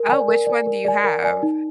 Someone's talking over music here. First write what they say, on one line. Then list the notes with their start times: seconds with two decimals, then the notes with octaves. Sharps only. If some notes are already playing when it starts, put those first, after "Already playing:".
Oh, which one do you have?
Already playing: A#4
0.08 D5 G#5
0.28 A#4
0.47 D5 G#5
0.67 A#4
0.85 D5 G#5
1.04 A#4
1.24 D5 G#5
1.43 D#4